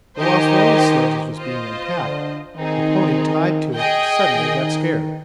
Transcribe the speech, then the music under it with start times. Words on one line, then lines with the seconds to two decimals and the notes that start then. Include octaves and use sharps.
But whilst one of the sledges was being unpacked the pony tied to it suddenly got scared.
0.18 D#3 D#4 G4 C5 D#5 G#5
1.38 F4 C5 D#5
1.98 D3
2.56 D#3 C4 D#4 G#4
3.76 G#4 D#5 G5
4.36 D#3